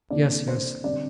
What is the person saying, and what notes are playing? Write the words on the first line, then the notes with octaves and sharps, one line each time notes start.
Yes, yes.
C3 E3 A#3 D4 D5
C5
D3 G3 C4 D5